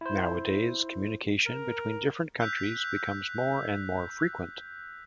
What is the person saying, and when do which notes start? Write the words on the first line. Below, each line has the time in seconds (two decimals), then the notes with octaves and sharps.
Nowadays, communication between different countries becomes more and more frequent.
0.01 E4 C5
1.46 A#4
2.40 E6 F#6 G6 B6 F7